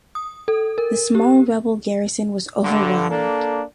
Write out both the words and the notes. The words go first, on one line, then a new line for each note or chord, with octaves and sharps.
The small rebel garrison was overwhelmed.
D#6
A4
A#4
G4
G2 D3
A#3 D4 A4